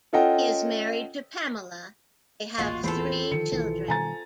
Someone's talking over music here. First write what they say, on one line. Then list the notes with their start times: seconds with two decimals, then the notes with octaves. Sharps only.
He is married to Pamela; they have three children.
0.13 C#4 F4 A4 D#5 F#5 G5
2.58 D#1 A1 G#3 A#3 F4 F#4
2.83 E2 C4 F4 A4 B5
3.31 D3 D#3 F3 C#7
3.52 B1 D#3 E3
3.88 B2 D#3 G3 G#5 A#5 A6